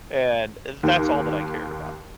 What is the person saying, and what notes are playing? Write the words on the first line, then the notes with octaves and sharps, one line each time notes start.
And that's all that I cared about.
D#2